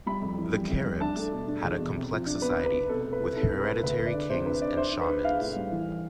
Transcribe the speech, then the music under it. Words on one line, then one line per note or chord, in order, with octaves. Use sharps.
The Caribs had a complex society, with hereditary kings and shamans.
G3 B5
F2
E3
G3
F2
G3
D4 A5
A3
B2
D4
E2
B2
C3
F3
D4
B3 B4
C3
B4
C3
B2 A4
A3
B4
C2
C2 A4
C2
B4
A3
D2 B4
D2
D5
D4
C3 C5
D4 B4
D4 D5
D5
D4 C5
D4
B4
D4
D4 F5
A2
G3
E3